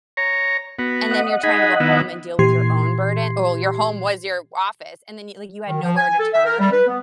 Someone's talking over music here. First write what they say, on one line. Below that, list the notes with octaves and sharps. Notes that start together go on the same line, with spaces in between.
and then you're trying to go home and deal with your own burden Oh, your home was your office and then you like, you had nowhere to turn,
C#5 A#5
B3 F#4
D#5 F#5
D#4 G#4 B5
D#3 B3 E4
A#2 E3 G4 C6 G#6 C7
D#3
F3
G#5
A4
E5
A#4
G3
B4
B3